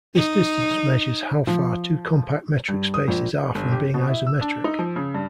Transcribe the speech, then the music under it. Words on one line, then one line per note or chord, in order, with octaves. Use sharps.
This distance measures how far two compact metric spaces are from being isometric.
D#4
F3
G2
D#6
A#1
G1
G4
B2
E4
E6
D4
D#4
F3
C#3
G2